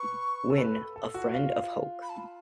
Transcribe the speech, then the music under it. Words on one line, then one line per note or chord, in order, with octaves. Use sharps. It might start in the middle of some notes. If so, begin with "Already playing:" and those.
Wynne, a friend of Hoke.
Already playing: B4 C#6
A4
B4
A4
A4
F#4
F4
B5
A5